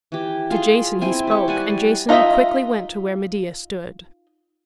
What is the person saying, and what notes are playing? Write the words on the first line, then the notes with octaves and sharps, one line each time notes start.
To Jason he spoke, and Jason quickly went to where Medea stood.
E3 G4
F4 G#4
C4 E4 G#5
G4 C#6
G3 F#5 G#5
D#4 F4 A#4 D#5 E5